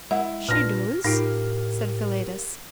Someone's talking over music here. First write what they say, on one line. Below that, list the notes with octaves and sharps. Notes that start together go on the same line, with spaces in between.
"She doos," said Philetus.
G#3 E4 F#5
A#2 D4 F4 B4 F6 A#6
A2 D#4 F4 G4 A#4 F5